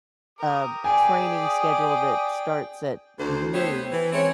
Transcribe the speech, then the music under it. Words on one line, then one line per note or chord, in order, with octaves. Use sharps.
a training schedule that starts at noon
G4 A#4 D#6
G#4 D5 G5 G#5
D2 C5
A3 B3 G4 A4 C5 C#5
E3
G#3 C4 C#4 C#5